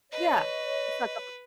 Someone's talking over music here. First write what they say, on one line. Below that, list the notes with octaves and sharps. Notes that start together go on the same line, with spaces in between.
Yeah, it's the government,
B4 C#5 D#5